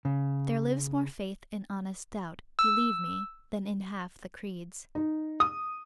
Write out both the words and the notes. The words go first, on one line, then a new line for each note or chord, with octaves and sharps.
There lives more faith in honest doubt, Believe me, than in half the creeds.
C#3
E6
D#4
D#6